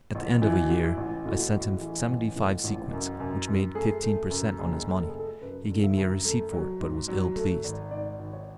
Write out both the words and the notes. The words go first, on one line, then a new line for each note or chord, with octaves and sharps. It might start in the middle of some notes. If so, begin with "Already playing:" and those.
At the end of a year I sent him seventy-five sequins, which made fifteen per cent. on his money; he gave me a receipt for it, but was ill pleased.
A1
E3 E4
F#4
E3
E4
A1
A2 F#4
A1
F#4
G#4
E3
A1
A2
A1
F#2
F#2
F#2
A3 G#4
A3
F#2
F#1 G#4
A3
A4
A3 G#4
A4
F#2 B4
D3
E5
F#2
A3
F#3
G#2
F#3
A3
G#1
G#2 D5
G#1
C#5